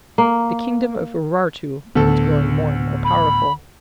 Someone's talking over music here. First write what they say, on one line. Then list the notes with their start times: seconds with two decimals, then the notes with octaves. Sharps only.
The kingdom of Urartu was growing more and more powerful.
0.18 A#3
1.95 D2 A2 B3 A4
3.04 B5